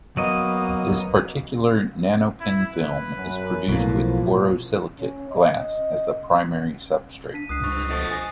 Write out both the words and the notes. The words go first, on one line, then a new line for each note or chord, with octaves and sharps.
This particular nanopin film is produced with borosilicate glass as the primary substrate.
F#3 A#3 B3 D#5
E4
B4
F#2
B1 A2 F3 A#3
C#4
D#5
D4 B6 D#7
C#2 D#6 F#6 C7
G2 C#6
B2 F3 A3
G#5 A#6